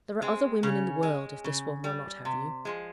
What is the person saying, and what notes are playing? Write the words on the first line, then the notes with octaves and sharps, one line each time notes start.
'There are other women in the world, if this one will not have you.'
G#3 C4
C#3 C#4
G#3
C#3
G3
C3
F3 G#3